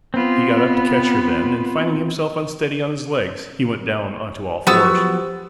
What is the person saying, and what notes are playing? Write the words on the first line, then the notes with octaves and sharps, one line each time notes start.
He got up to catch her then and finding himself unsteady on his legs, he went down on to all fours.
B3 C4 F4
F3 F#3 B3 G4 C5 C#6 E6